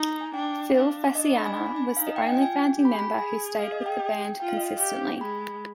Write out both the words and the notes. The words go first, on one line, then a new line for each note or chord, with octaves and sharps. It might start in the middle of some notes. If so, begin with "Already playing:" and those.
Phil Fasciana was the only founding member who stayed with the band consistently.
Already playing: D#4
G#5
D4 G5
D4 F5
D#5
D#5
B5
G#5
B5
G#5
G#5
D#4 F5
D#5
G5
G#5
G5
F4 G#5
G4
B5
G#5
B5
G#4 G#5
F5
D#5
G5
G5
F4 G5
F5
D#5
F5
G4 G5
G#3 B5